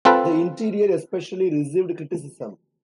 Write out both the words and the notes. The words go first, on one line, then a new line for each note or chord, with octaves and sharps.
The interior, especially, received criticism.
C4 F4 A4 B4